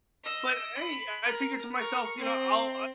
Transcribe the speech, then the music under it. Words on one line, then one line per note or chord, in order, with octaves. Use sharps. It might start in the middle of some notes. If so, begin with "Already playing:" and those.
But hey, I figured to myself, you know, I'll
D#5 E6
B5
A#4
A#4 C#6
C4